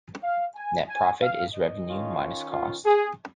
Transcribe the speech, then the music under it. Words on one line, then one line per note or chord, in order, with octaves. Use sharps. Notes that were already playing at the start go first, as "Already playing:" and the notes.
Net profit is revenue minus cost.
F5
G#5
G#5
F5
D#5
D#3 C#4 F4
F4
G#4